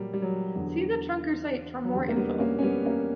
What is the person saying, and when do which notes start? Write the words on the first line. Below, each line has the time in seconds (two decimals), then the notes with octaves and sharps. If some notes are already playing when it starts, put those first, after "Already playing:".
See the Trunker Site for more info.
Already playing: A#2 F#3 G3 A#3
0.14 G3
0.22 F#3
0.55 E2 D3
1.84 F#3
1.93 E2 D3 G3
2.08 A#3
2.16 G3 B3
2.39 A#3 C#4
2.59 C#4
2.62 G3 B3
2.85 A#3 C#4